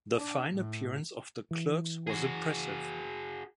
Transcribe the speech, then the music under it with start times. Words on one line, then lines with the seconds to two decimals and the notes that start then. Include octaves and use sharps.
The fine appearance of the clerks was impressive.
0.16 D4
0.54 A2
1.51 E3
2.07 F#4 G#4